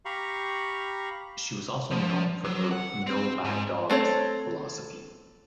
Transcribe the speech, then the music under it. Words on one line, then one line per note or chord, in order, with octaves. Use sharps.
She was also known for her "no bad dogs" philosophy.
G4 F5 A#5 B5 C#6
F3
F#3
F#5
C4
G#2
A3 C4 A4 C#5